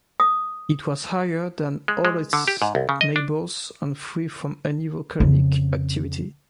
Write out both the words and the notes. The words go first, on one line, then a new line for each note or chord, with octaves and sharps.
It was higher than all its neighbours and free from any volcanic activity.
D#6
G#3
G#3
D3
G4
G#2
C2
C#3
D#5
D4
F2 C#3